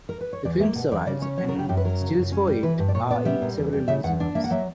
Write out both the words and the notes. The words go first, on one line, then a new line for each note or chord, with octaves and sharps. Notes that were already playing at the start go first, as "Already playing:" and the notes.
The film survives and stills for it are in several museums.
A#4
B4
C#5
E2 D5
A#3 E5
B2 F#5
E2 D5
C#3 D5
C#4 C#5
F#3 C#5
A#4
C#3 G4
F#2 G4
B4
F#3 A#4
C#3
F#2
C#4
G3
E3 B4
G2
D5
A#2 C#5
B3 D5
G3 E5
A#2
E2
G3
C#3 E5
E2 F#5
D4
A#3 E5
F#5
F#3 E5